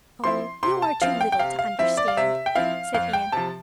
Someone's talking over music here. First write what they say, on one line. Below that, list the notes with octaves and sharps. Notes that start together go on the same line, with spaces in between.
"Oh, you are too little to understand," said Anne.
F3 C4 E4 C6
C3 C6
A5
F3 C4 E4 F5
G5
G5
C3 F5
F5
F3 C4 E4 E5
D5
F5
C3 E5
G5
F3 C4 E4 F5
F2 F5
G5
C3 F3 A5